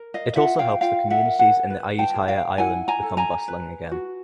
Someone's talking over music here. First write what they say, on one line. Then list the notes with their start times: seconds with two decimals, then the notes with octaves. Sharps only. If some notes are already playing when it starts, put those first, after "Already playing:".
It also helps the communities in the Ayutthaya Island to become bustling again.
Already playing: A#4
0.14 D#5 F5
0.36 F4 E5 F#5
0.59 F5 G5
0.81 F4 F5 G5
1.10 E5 F#5
1.25 A#4
1.39 F#5 G#5
1.70 B4
1.99 G5 A5
2.14 G#4
2.28 F5 G5
2.58 E4 F#5 G#5
2.88 G#5 A#5
3.03 A4
3.17 G#5 A#5
3.48 B4
3.91 F#4